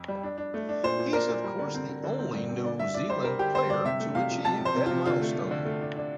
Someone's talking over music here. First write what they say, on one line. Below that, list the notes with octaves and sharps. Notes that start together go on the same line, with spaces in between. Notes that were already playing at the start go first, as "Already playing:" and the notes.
He's of course, the only New Zealand player to achieve that milestone.
Already playing: F2
G3
D4
D4
A3
D4
A#2 C5
A#2
D4 A#4
A#2
G3
D3
C4
D3
D3
C4
G2
C4
D3 D5
G2 E5
D4 D5
G3 C5
G3 A#4
D3 G4
D3 C5
G2 D5
C3 E5
A3
C3 F5
F3
C3 A5
F3 C5
C3
F4
C3
D3 F4
A3
A3
D3
A3
D4
D4